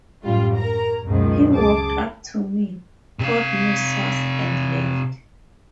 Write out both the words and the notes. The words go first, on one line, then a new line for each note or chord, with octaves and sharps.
He walked up to me, called me "sus", and left!
A1 F#2 G3 F4
A#4 A#5
C#2 F#2 B2 D#3 F3 G#3
C#2 G#4 A5 D6
C3 F5